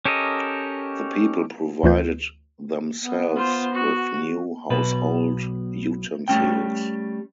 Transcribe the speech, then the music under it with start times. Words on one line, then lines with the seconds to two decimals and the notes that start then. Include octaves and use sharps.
The people provided themselves with new household utensils.
0.05 C#4 G4 A4 A#4 D#5
1.83 D2 E3 A3 F4 B4 G6
3.00 B3
3.35 F4 C5
3.72 F#4
4.70 B1 B2 B4
6.28 G3 A3 C#4 G5